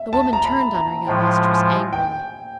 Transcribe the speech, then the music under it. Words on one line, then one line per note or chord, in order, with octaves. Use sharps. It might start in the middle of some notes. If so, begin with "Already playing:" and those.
The woman turned on her young mistress angrily.
Already playing: E5
A5
A#5
B5
A#5
A2 F3 G#3 G5
G#5
G5